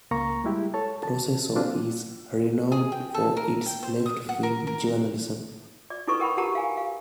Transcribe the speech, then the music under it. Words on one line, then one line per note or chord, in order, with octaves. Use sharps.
"Proceso" is renowned for its left-wing journalism.
C#2 A#3 A#5 C#6
G3 G#3 E4 G4
A4 C#5 A5
A5
F#3 A#3 C4 D4 F4
G#4
G5
A4
A#4
G5
C5
D#6
F#5
A#4
A#4
D5
D#4 E4 A4 B4 C#6
A#4 F#5 G5 B5
G4 A#4 F#5 A5 A#5
F5 G#5
F5